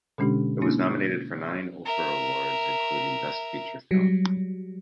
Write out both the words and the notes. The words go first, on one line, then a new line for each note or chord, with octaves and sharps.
It was nominated for nine Ophir Awards including Best Feature Film.
B2 D3 G#3 C#4 D4 G4
A#3 C#4 D4 E4
A#4 E5
F#3 G3